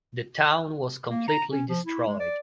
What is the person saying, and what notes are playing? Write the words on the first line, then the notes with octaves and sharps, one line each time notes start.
The town was completely destroyed.
A#3
A#5
C#4
F3
E4
G#3
D5